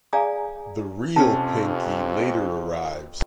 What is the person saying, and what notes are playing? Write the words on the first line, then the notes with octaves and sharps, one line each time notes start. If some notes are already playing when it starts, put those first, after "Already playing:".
The real Pinky later arrives.
G#4 D5 F5 G#5 A#5 D#6
F2 C3 C4 C#4 A5